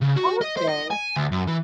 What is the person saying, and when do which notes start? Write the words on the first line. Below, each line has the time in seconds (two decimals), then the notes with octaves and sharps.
Oh, okay.
0.02 C#3
0.17 F#4
0.42 D#5
0.57 C5
0.69 D#5
0.91 G#5
1.16 D2
1.32 F#2
1.47 E3